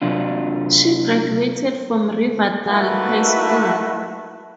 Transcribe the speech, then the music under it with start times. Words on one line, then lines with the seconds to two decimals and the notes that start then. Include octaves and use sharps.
She graduated from Riverdale High School.
0.02 C3 F#3 D4 F4
2.67 A3 A#3 D#4 E4 F#4 B4